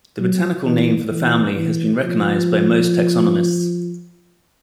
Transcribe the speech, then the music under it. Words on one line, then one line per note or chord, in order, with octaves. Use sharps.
The botanical name for the family has been recognized by most taxonomists.
F#3
E3
E3
E3
F3